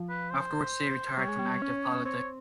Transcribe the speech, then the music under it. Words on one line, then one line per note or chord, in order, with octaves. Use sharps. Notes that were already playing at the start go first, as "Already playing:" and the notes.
Afterwards, he retired from active politics.
Already playing: F3
B4
C5
G3 C#5
G#3
G3
C#4
C4 C#5